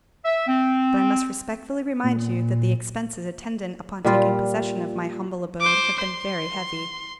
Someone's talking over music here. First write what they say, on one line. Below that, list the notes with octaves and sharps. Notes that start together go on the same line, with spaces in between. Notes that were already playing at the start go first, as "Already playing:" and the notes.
But I must respectfully remind you that the expenses attendant upon taking possession of my humble abode have been very heavy.
E5
C4
A#2
A#2 G3 F4
C5 D6
C6